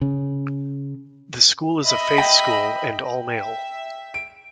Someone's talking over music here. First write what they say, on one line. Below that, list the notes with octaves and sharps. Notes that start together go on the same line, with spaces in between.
The school is a faith school and all-male.
C#3
D#5 E5 B5
G5 A#6
E5
D7